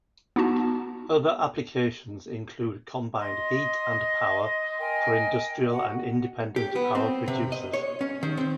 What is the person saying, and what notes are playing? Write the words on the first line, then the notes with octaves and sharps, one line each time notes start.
Other applications include combined heat and power for industrial and independent power producers.
B3 D#4 E4 F#4 A5
D#5 C6
A#4 D#5 G5 G#5
F#4 F#5
G4
B3
C4
C3
D#5
C#5
C#4
D#3
C4